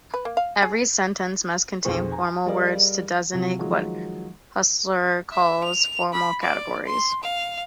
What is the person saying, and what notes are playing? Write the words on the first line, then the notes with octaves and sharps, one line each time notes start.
Every sentence must contain formal words to designate what Husserl calls "formal categories".
B4
A#3
F5
G#4
B1 F2 G#4 C5 C#6
G#5 A#5
G3 G#4 A#4 D5 D#5 F5
C3 F3 F#3
D#3 F3 F#3 G#3
E5
F7
B5
D5
C6
F5